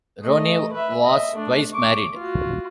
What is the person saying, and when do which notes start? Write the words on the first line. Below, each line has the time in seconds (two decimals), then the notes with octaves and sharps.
Ronay was twice married.
0.23 A3 D#5
0.72 B4 E5
1.03 D#5 E5
1.35 A3 D4
1.73 C#6 D6
2.15 F4 F#4